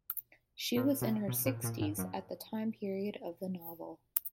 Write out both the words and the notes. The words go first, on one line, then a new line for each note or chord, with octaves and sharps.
She was in her sixties at the time period of the novel.
A#2
B2
B2
A#2
A#2
G#2
F#2